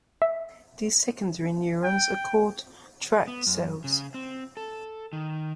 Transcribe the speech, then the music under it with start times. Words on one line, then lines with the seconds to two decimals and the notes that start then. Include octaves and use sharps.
These secondary neurons are called "tract cells".
0.22 E5
1.84 G5
3.28 B3
3.47 F#2
3.84 C#3
4.14 C4
4.57 A4
5.13 D#3